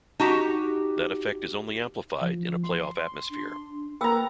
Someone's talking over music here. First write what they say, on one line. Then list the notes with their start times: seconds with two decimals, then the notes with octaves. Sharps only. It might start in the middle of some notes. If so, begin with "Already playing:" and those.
That effect is only amplified in a playoff atmosphere.
0.20 D#4 F#4 G4
2.21 F3
2.64 C6
3.30 D4
4.01 A#3 A#4 B4 G5 A#5 D#6 E6